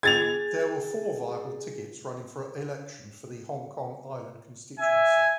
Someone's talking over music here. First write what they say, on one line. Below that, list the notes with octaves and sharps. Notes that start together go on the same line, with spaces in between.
There were four viable tickets running for election for the Hong Kong Island constituency.
G#4 G#6 A6 F7
E5 G#5